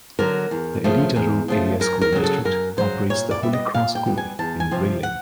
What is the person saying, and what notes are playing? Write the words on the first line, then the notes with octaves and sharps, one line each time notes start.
The Iditarod Area School District operates the Holy Cross School in Grayling.
D3 F#3 A#4
E2
C#3 F3 A3
E2
C#3 F3 A3
F#2 A#4
A#4
C#3 F#3
A4
F#2 A#4
C#3 F#3 C5
A#2 C#5
D5
G3 B3 E5
D#5
A#2 F5
G5
G3 B3
G#5
E2 A5
G#5
C3 F3
F#5